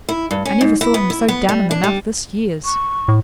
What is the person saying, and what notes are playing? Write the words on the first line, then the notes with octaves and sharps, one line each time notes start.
I never saw him so down in the mouth this years.'
E4
G2
C#4
G#2
E4
B3
E4
B3
G3
D4
G3
C#6
A2